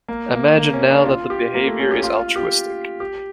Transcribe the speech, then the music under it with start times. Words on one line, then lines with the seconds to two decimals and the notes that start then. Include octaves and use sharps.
Imagine now that the behavior is altruistic.
0.08 A#3
0.33 A#3
0.57 A#3
0.73 C#4
0.90 D4
1.05 F4
1.30 G4
1.55 A#3
1.67 A3
1.79 C#4
1.91 G4
2.03 F4
2.19 F4
2.36 G4
3.00 G4